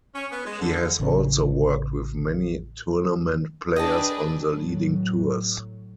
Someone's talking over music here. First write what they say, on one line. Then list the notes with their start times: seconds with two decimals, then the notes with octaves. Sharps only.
He has also worked with many tournament players on the leading tours.
0.15 C#4
0.31 B3
0.45 G#3
0.60 D3
1.00 A1 C#3 C4 C#4
3.76 D4 G#4 B4 D#5 G5 A5
4.46 A2 F#3